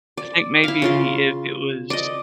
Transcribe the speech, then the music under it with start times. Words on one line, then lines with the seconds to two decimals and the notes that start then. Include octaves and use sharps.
I think maybe if it was
0.17 D5
0.64 E4 F5
0.82 C#3 F4 C6
1.90 D5 D#5